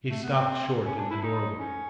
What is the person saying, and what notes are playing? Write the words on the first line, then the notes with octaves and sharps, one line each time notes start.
He stopped short in the doorway.
A3
B3
C4
C#4
D4
E4
D#4
C#4